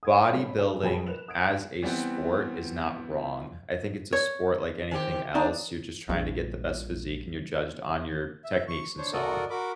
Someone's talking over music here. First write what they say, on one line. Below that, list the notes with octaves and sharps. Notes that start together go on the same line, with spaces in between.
bodybuilding as a sport is not wrong. I think it's a sport like anything else, you're just trying to get the best physique, and you're judged on your techniques and so on.
D#6 G#6
G1 A4 B5
G#4
F2 G3 F#4 G#4 G5 B5
A#4 B4 F#6 E7 F7
D#6 G#6 D7
E3 G3 B3 C4
C#5
D#3 C4 G4
D4 D#4
A#1 G3
E5
C#6
D4 C5 C#5
F#4 A4 A#4 D5 D#5
F#4 A#4 B5 D6